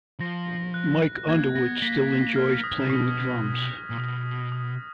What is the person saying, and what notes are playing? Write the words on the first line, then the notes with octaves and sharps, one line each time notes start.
Mike Underwood still enjoys playing the drums.
F3 A#6
F#6
A#3 G#6
B3 A#6
A#3 B6
F6
D#6
C#3
B2 C#6
A#2
B2 D#6
D#6